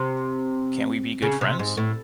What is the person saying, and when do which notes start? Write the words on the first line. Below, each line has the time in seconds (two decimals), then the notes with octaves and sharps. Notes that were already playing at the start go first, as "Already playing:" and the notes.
Can’t we be good friends?
Already playing: C3
1.22 C#3
1.41 C3
1.59 G#2
1.77 A2